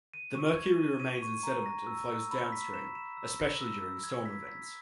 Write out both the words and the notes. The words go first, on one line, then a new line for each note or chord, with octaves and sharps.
The mercury remains in sediment and flows downstream, especially during storm events.
D#7
C#6
G#6
D#7
D#7
C#6
A#5
A#6
E6
E6
B5
B6
E7
E7
E6
A#6
E6
E6
G#6
B6
B6